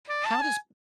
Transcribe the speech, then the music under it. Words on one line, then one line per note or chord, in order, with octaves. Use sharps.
how does
D5
A5
G#5